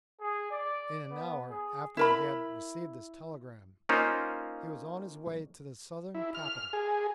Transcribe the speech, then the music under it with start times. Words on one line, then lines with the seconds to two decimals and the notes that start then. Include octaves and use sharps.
In an hour after he had received his telegram he was on his way to the Southern capital.
0.20 G#4
0.51 D5
1.09 B3
1.49 G#4
1.97 E4 A#4 B5
3.89 A#3 C#4 D#4 F4 C5
6.15 E4
6.35 F6
6.73 G#4